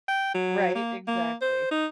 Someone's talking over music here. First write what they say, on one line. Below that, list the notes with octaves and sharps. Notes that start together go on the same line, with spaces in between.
Right. Exactly.
G5
F#3
A#3
A#3
C5
D#4